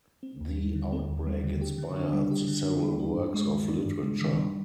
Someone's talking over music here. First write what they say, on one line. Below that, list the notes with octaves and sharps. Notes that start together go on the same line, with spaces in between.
The outbreak inspired several works of literature.
C4
D#2
G3
D3
C4
D#2
G3
D3
G4
D3
D4
G3
G4
D3
D4
G3
D4
G2
G#3
D#3
D4
G2
G#3
D#3
G3